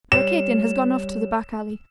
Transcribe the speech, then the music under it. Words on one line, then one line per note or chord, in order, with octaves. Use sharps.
Rakitin has gone off to the back alley.
G3 C#5 E7